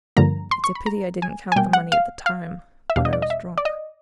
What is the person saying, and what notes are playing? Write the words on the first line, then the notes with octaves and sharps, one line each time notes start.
"It's a pity I didn't count the money at the time, but I was drunk...."
G2 D3 F3 A#3 A#5
C6
C#6
B5
A#5
G#5
G#5
B2 G3 A#3 G5
F#5
F5
F5
E5
E2 B2 G3 B3 D4 F5
D#5
D5
D#5
E5
D5
D#5